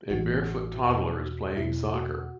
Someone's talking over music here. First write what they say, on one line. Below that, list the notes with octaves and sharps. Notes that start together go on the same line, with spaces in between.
A barefoot toddler is playing soccer.
A1 A2 E3 F#4
E2 B2
E2 B2 E4
F#4